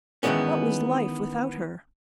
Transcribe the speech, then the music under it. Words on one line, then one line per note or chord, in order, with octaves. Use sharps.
What was life without her?
D#3 E3 F#3 G#3 B3 C#4